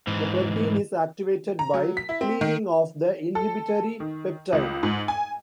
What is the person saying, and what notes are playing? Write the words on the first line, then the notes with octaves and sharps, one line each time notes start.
The protein is activated by cleaving off the inhibitory peptide.
G#2 E3
A#5
F#3
B6
E4
C4
D#3
A4
D#3
C#2
G#2
G#5